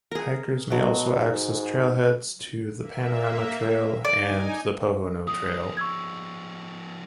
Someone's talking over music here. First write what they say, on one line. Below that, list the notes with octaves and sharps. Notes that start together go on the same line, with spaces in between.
Hikers may also access trailheads to the Panorama trail and the Pohono trail.
G#4 A#4
B2 F#3 F#4
G#2
A#3 E5
D#4 D5 G#5
F3 G#3 D#6
C#6 E6 G#6